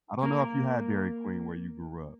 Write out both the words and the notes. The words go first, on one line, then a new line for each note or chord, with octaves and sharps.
I don't know if you had Dairy Queen where you grew up.
A#3 A#4